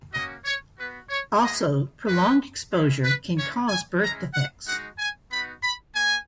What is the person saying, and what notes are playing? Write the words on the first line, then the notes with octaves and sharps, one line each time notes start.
Also, prolonged exposure can cause birth defects.
A#3 C#4 F#4 D#5
C#5
B3 F#4 B4
C#5
G#3 B3 E4 D#5
A#3 C#4 F#4 B4
G#3 C#4 E4
B4
A#3 C#4 E4 C#5
G#5
G#3 C#4 E4 A#5
F#5
G#3 D#4 F#4 F#5
G#5
B3 D#4 F#4 B5
B5
A#3 G#5